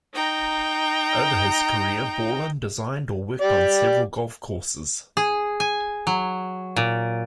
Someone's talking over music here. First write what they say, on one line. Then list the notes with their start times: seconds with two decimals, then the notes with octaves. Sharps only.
Over his career, Borland designed or worked on several golf courses.
0.14 D#4 G5 A#5
3.41 G4 D5
5.17 G#4
5.60 G#5
6.07 F#3
6.76 A#2